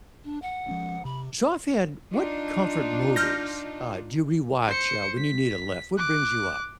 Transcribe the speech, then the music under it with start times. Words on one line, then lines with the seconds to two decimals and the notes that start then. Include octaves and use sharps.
So, off the end, what comfort movies, uh, do you rewatch, uh, when you need a lift? What brings you up?
0.24 D4
0.42 F#5
0.68 F3 G#3 C#4
1.05 C3 B5
2.13 D4 D#4 F4
3.16 F6 G6 A#6
4.67 C5 C#7
5.17 B6
5.97 D6 F#6